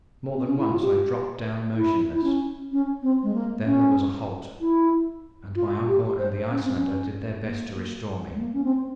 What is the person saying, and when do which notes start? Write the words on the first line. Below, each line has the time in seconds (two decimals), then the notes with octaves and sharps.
More than once I dropped down motionless. Then there was a halt; and my uncle and the Icelander did their best to restore me.
0.34 C4
0.46 C#4
0.58 E4
0.70 F4
0.82 G4
1.77 E4
2.14 E4
2.24 C#4
2.72 C#4
3.02 C4
3.23 G#3
3.34 A#3
3.66 C#4
4.61 E4
5.56 F4
5.88 G4
6.19 C5
6.50 C#4
6.63 C4
6.75 C#4
7.45 A#3
8.35 G#3
8.40 A#3
8.53 C#4
8.64 C4